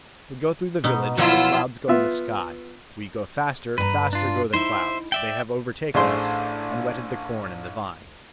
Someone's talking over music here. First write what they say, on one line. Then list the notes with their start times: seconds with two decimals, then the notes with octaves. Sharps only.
"We go through the village; The clouds go in the sky; We go faster, Faster go the clouds; They have overtaken us, And wetted the corn and the vine."
0.84 B2 D#4
1.17 B2 F3 F#3 E4 F4 E6
1.88 B3 F4 E5
3.78 G2 G#4 B4 A#5
4.13 D4 F4
4.54 D#4 E4 C5 E5
5.12 D5 E5 G5
5.94 A1 A3 D4 G#4 C5 C6